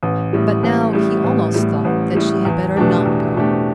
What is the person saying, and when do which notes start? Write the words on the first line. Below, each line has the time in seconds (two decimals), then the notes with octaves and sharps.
But now he almost thought that she had better not go.
0.03 A1
0.33 A2 G3
0.63 A1
0.93 A2 G3
1.24 A1
1.54 A2 G3
1.85 A1
2.15 A2 G3
2.45 E2
2.76 B2 A3 D4 G4
3.06 E2
3.36 B2 A3 D4 G4